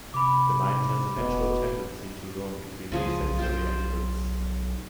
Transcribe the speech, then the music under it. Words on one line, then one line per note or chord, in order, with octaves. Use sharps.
The mind has a natural tendency to roam between the sensory inputs.
C3 B5 D6
E1 B2
C#2 C#3 F3 G#4
B1
F4 G4 C5